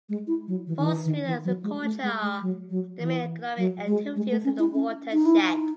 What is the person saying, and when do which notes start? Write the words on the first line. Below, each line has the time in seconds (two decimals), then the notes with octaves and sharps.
Forestry and agriculture are the main economic activities in the watershed.
0.09 G#3
0.27 E4
0.48 F#3
0.67 E3
0.78 D#3
0.86 E3
1.06 D#3
1.25 E3
1.44 F#3
1.63 G#3
1.83 A3
2.02 G#3
2.21 G#3
2.41 F#3
2.70 F#3
3.00 E3
3.57 F#3
3.87 G#3
4.16 G#3
4.30 A3
4.44 C#4
4.59 E4
4.74 C#4
5.13 D#4
5.26 E4
5.39 D#4